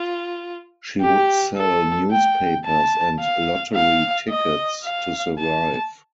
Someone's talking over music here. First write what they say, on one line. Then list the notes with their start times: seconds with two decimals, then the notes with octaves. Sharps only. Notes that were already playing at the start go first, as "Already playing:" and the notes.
She would sell newspapers and lottery tickets to survive.
Already playing: F4
1.01 G4
1.56 A4
2.11 G5
2.65 A5
3.20 F5
3.75 F5
4.29 D#5
4.84 F5
5.39 A5